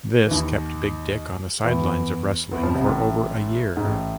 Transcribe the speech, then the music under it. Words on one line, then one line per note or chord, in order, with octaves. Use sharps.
This kept Big Dick on the sidelines of wrestling for over a year.
E3
D#2 D#3
E2 E3
E2 E3
F2 F3
C2 C3
A1 A2
G#2
A1 A2